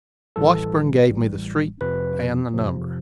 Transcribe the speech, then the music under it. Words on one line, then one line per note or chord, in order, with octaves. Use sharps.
Washburn gave me the street and number.
A1 A2 E3 G3 A4
A1 A2 E3 G3
F2 C3 F3 B4
F2 C3 F3